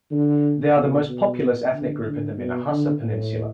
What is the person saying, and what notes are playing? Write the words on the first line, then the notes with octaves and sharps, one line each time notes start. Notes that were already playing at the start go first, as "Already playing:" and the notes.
They are the most populous ethnic group in the Minahassa Peninsula.
D3
B2
B2
D3
D3
B2
D3
A2